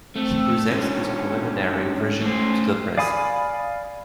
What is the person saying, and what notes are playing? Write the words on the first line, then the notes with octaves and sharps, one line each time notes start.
He presents this preliminary version to the press.
A3 C4
G#2 D3 C#4
A3 C5
D5 F5 G#5 B5 D#6